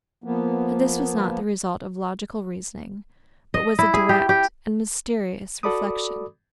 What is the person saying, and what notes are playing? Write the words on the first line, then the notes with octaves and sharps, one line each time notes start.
And this was not the result of logical reasoning but was a direct and mysterious reflection.
F3 A#3 B3
D#5
E4
G#4
G4
G4
F#4 A4 D5 B5 D6 D#6